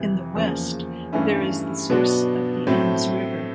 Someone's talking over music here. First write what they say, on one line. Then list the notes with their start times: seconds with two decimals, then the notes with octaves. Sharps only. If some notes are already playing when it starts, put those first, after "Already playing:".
In the west there is the source of the Ems river.
Already playing: F2 C3 E3
0.35 E2 C#3 F3 A#3
1.12 G2 E3 A3 C#4 E4
1.90 B2 F#3 B3 D4 F#4
2.67 A2 F#3 A3 C4